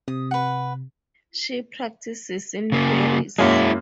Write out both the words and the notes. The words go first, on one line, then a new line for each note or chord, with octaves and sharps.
She practices in Paris.
C3 D#6
B4 F#5
C#3 A#3
F#2 G#3 A#3 E4